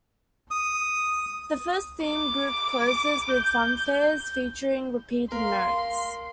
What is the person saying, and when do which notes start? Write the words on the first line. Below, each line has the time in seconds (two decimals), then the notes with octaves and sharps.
The first theme group closes with fanfares featuring repeated notes.
0.51 D#6
2.02 D6
3.31 G6
5.32 A#4 F5 C6